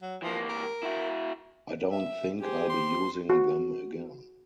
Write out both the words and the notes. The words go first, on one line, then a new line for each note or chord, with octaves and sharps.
I don't think I'll be using them again.
F#3
E3 F3 A#3
A#4
E4 F#4
E5
G4 G#4 C5
C6
F#4